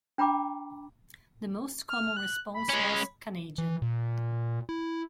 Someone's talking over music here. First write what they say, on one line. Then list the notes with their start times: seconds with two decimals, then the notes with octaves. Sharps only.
The most common response was "Canadian".
0.18 D4 G5 A#5 B5 D6
1.89 F6
2.17 F#6
2.54 B5
2.69 G#3 C#4
3.58 E3
3.82 A#2
4.69 E4